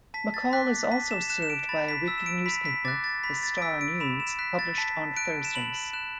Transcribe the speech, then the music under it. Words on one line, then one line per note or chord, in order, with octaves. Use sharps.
McCall is also served by a weekly newspaper "The Star News", published on Thursdays.
A5 B6
A6
D6 F#6 B6
A5 B6
E7
F#6 E7
E7
D7
B5 A6
B6
E6 B6
E7
D7
B5 B6
B6
D6 F#6 A6
A6
B5 B6
A6
D7
E6 B6
D7
B5 E7
E7
F#6 B6
A6
A5 B6
F#6 D7
E7
B5 F#7
F#7
F#6 E7